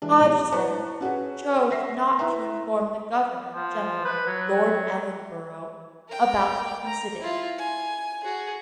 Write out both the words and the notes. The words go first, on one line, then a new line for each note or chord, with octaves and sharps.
Hodgson chose not to inform the governor-general, Lord Ellenborough, about the incident.
E3 G#3 D4
A#1 G2
E4 B4 C5 A5 A#5 C#6
C#4 F#4 G#4 B4
E5 F#5 A#6 C7
E4 B4 E5 A#5
F3
B4
F#3
A#4 G5
A#5
E4 F4
G#5
F#4 G#4